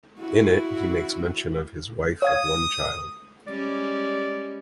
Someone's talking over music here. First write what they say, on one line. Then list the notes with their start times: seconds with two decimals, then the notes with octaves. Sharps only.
In it he makes mention of his wife and one child.
0.20 E4 F#4
2.22 C#5 F5 D#6 G#6
3.47 G3 G#3 C#4 D5